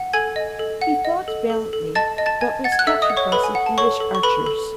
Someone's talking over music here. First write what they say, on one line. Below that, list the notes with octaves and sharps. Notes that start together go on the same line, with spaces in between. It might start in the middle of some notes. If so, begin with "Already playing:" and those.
He fought valiantly but was captured by some English archers.
Already playing: F#5
A4 G#5 G#6
D#5
A4
F#5
D#5
A4
A4
A4
D#5 A5 A6
D#5
A5 A6
D#5 G#5 G#6
F#5 A6
G#6
F#6
A4 E5 E6
D#5 D#6
F#5
C#5 C#6
A4 B4 B5
G#5
F#5
A5
A4 C#5 C#6
A4
C#6
A4 B4 B5
A4